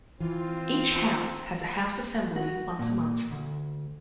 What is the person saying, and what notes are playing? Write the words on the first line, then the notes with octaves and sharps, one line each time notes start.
Each house has a house assembly once a month.
E3 C4 F4
F#4
A#2
D2